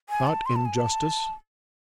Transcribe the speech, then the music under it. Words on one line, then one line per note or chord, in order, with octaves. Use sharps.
'Not in justice?'
G#5
A5
C6
A5
G#5
A5